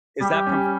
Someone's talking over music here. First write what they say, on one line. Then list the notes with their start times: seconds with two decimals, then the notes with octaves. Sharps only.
Is that from
0.21 G3 G4
0.47 C#4